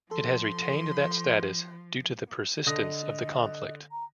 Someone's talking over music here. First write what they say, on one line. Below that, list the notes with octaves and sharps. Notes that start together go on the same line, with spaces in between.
It has retained that status due to the persistence of the conflict.
F3 A4 C6
D3 D#5 D#6 A#6
A#5